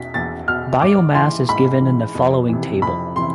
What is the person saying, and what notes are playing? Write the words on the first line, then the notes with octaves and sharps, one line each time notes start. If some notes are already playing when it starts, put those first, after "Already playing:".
Biomass is given in the following table.
Already playing: E2 B2 B6
E2 A6
B2 F6
G#2 D6
E3 C6
G#2 B5
E3
F2
C3 E3
F2 B5
C3 E3 C6